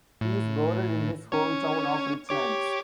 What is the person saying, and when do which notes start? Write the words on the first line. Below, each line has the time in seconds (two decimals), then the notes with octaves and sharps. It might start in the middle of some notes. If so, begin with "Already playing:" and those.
He is buried in his hometown of Richlands.
0.21 A2
1.32 C#4 C#5
2.29 G4 C#5 D6